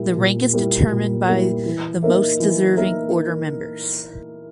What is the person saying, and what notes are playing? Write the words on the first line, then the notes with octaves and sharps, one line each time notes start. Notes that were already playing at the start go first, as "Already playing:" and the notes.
The rank is determined by the most deserving order members.
Already playing: A#2 G3 A#3 E4
A#2
G3 A#3 E4
A#2
G3 A#3 E4
E3
A#3 D#4 A#4 E5
E3
A#3 D#4 A#4 E5